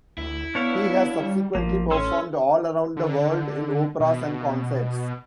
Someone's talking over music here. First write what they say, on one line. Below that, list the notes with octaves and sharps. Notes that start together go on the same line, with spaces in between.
He has subsequently performed all around the world in operas and concerts.
D2 E4
B3 D4 C#5 F5
G3
A1 F3 A#3
C#4 A4 C6 E6
D3
B2